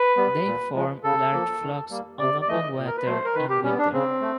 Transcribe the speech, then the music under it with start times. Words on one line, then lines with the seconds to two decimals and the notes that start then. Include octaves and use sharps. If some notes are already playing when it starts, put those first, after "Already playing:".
They form large flocks on open water in winter.
Already playing: B4
0.17 G3 B3
0.46 A#2
0.75 F3 G#3
1.04 C#3 A4
1.32 F3 A#3
1.61 D#3
1.90 G3 A#3
2.19 C3 D5
2.41 D5
2.48 E3 A3 D#5
2.77 A#2
2.87 A#4
2.97 B4
3.06 F#3 A3 C5
3.25 A#4
3.35 D#3 B4
3.50 G4
3.64 G3 B3 C#4
3.78 D4
3.93 C#3 C4
4.21 A3